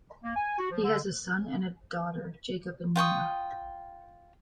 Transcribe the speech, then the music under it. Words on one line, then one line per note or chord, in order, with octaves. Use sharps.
He has a son and daughter, Jacob and Nina.
A#3
G#5
F#4
F3
D3
F4 G5 C#6 D#6